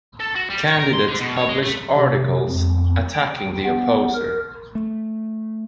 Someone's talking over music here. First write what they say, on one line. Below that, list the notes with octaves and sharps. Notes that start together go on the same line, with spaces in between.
Candidates published articles attacking the opposer.
A4
F#4
G3
C#5
A#4
C6
D3
B2
C#5
G#3
A3
C3
F2
G5
B3
A#4
A3